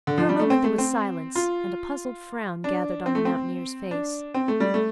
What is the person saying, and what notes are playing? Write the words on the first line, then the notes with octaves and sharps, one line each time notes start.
For a moment there was silence and a puzzled frown gathered on the mountaineer's face.
D3
F3
G3
A3
C4
A3
C4
F4
D4
C4
A3
C4
D4
C4
A3
G3
A3